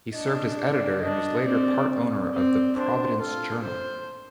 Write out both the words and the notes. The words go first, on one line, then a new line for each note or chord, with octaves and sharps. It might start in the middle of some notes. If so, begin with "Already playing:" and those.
He served as editor and was later part owner of the "Providence Journal".
D4 D#5
D5
D4 D#5
C4 D5
D5
C4
D4 C5
F4 A4
C5